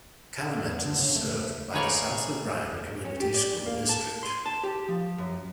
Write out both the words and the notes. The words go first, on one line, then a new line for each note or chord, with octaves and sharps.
Calumet is served by the South O'Brien Community School District.
B3
D3
C#3
A3
D#4 G#4 B4 C#5 D5 F5
C#4
G4
D5
A#3
A5
C6
A5
G4
F3
F#2